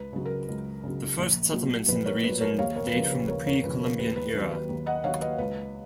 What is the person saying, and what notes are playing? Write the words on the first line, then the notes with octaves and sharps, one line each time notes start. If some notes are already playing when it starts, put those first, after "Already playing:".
The first settlements in the region date from the Pre-Columbian era.
Already playing: C#2 B4
C#3 F#3
A#4
C#2
C#3 F#3
A#1
A#2 F#3
A#1 B4
A#4 C#5
A#2 F#3 B4
A#4 C#5
D#2 C#5 F5
A#4 C#5
B4
C#3 F3 A#4
B4
D#2 A#4 C#5
A#4 C#5
C#3 F3 B4
A#4
D#2 B4
B4
D#3 F#3 B4
B4
D#2
D#5 F#5
D#3 F#3 C#5 F5
B4 D#5
C#2 B4